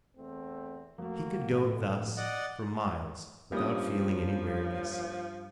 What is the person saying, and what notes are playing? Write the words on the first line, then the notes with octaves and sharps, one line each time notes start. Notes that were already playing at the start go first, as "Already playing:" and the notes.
He could go thus for miles without feeling any weariness.
E2 A3 C4
F2 A3 A#3 F#4
A1 D2 A2 F3
D5 D#5 F#5
G2 F3 A#3 C#4 G4 D#6